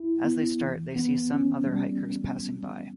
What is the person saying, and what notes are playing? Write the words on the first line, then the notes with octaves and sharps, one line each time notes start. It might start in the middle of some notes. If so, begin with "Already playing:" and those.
As they start, they see some other hikers passing by.
Already playing: E4
B3
E3
B3
C#4
G3